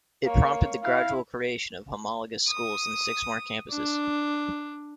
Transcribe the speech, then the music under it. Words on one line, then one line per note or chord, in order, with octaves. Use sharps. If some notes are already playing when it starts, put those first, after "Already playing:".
It prompted the gradual creation of homologous schools in six more campuses.
A#3 C#5
E4 F5
D#6
D4